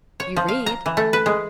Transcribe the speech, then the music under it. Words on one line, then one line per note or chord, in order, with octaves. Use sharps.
"You read."
C#5
F3
F5
A#5
E3
A3
B4
G#3